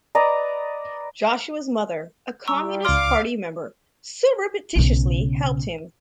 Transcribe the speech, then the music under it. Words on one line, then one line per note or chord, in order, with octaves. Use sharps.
Joshua's mother, a Communist party member, surreptitiously helped him.
B4 D5 D#5 A#5
G3 A#5 C#6 E6
C#2 D5 F5 C6 D6 F6
B1 C#3